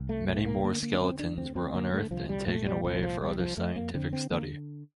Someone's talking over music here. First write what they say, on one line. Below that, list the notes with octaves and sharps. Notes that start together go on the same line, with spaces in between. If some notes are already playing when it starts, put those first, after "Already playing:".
Many more skeletons were unearthed and taken away for other scientific study.
Already playing: C2
A3
A#2 A3
A#3
D3 A#3
A#3
D4
D2 C4
D4
D2 C4
C4
D3 A#3
A3
C2 F3
G3
A#2 A3
G3
C2 F3
F3
C2 G3
F3
F2 A3
A#3
D3 C4
C4
D3 A#3